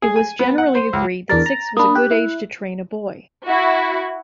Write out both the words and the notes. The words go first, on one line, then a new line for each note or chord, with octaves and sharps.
It was generally agreed that six was a good age to train a boy.
G#4
G#5
B3
F#5
C5
C#2
E2 D4 A#4 A6
A#5
A#3 D4 B5 D#6
G4 F#6
E4
E4 F#4